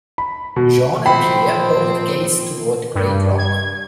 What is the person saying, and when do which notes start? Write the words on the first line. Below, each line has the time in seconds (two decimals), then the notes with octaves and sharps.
Jeanne and Pierre both gazed toward the great rock.
0.18 B5
0.56 B2
1.06 A#2 F3 C4 G5 B5
2.95 G2
3.38 G#6